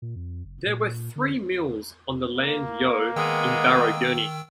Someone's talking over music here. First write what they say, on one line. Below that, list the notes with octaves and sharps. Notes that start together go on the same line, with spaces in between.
There were three mills on the Land Yeo in Barrow Gurney.
A#2
F2
F#1
A#2
D3
A#3
D#3 G#3 B3 G5 E6